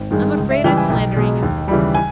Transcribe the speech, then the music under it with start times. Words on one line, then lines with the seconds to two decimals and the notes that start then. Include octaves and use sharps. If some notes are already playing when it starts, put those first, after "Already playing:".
I'm afraid I'm slandering him.
Already playing: G#1
0.11 G2 D#3 G#3
0.37 C#2
0.51 E5
0.64 C#3 E3 G3 G5
0.77 G#5
0.90 B1 G5
1.16 B2 G#3
1.43 D#2
1.68 C#3 E3 G3
1.95 G#5